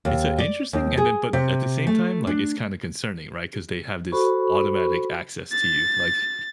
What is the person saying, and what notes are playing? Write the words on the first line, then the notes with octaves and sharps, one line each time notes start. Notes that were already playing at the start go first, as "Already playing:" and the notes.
It's, uh, interesting, and then but at the same time, like, it's kinda concerning, right, 'cause they have this automatic access to you, like
D#2
D5
D#2
G#4
C3
A3
D4
F#4 A4 C5 B5 C#6
A6